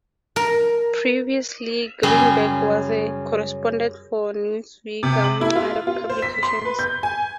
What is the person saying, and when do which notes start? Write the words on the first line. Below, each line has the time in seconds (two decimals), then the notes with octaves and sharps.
Previously, Greenberg was a correspondent for "Newsweek", among other publications.
0.36 A#4
2.03 F#2 C#3 G3 C#4 G#4 G5
5.03 C3
5.24 F#7
5.41 E4
5.55 F4
5.87 F4
6.09 C5
6.22 B6
6.43 C6
6.65 B4
6.79 G6
7.03 G#5